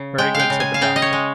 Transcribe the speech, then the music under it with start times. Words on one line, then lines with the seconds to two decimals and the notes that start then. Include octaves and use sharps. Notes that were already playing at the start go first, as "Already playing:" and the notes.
"Very good!" said the doctor.
Already playing: C#3
0.18 G#3 G5
0.35 F5 G5
0.50 C#3
0.60 G#5
0.74 F5
0.81 C#3 G5
0.96 D#5
1.02 C#5
1.13 G#3